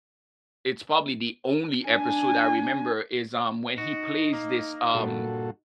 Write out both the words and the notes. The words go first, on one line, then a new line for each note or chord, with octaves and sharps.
it's probably the only episode I remember is, um, when he plays this, um,
D4 G#5
D#4 F#4
A#3
G2 A#2 F#4 A4